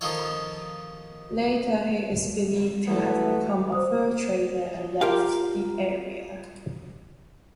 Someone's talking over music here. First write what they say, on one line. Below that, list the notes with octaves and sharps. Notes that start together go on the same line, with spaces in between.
Later, he is believed to have become a fur trader and left the area.
D#3 F3 D#4 F4 A4 C#5
E3 A3 B3
C5 D#6
F4 G4 A#4 F5